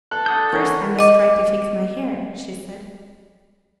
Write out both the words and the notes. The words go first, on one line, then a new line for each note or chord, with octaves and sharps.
"First I must try to fix my hair," she said.
A4 F#6
D4 F#5 D#6 G6
E3 A#4 C#5
C#5
D#5 D6